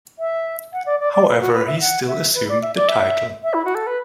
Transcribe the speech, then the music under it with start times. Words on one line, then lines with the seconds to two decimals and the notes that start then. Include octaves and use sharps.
However, he still assumed the title.
0.19 E5
0.73 F#5
0.86 D5
1.00 D5
1.13 D5
1.27 B4
1.41 F#4
1.54 B4
1.67 E5
1.81 F#5
2.08 E5
2.35 B4
2.49 D5
2.62 E5
2.76 D5
2.88 E5
3.44 E5
3.54 E4
3.65 F#4
3.75 A4
3.87 B4